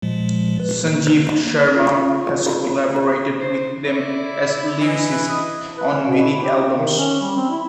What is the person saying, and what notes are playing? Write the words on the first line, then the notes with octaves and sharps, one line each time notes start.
Sanjeev Sharma has collaborated with them as lyricist on many Albums.
A#2 F3 G#3
B4
A#3
F4
C5
E4 D5
E3 D#5
E4 B4
D#5
B4
C#4
B2
E4
G4
D#3
C#4
G3
C4
E4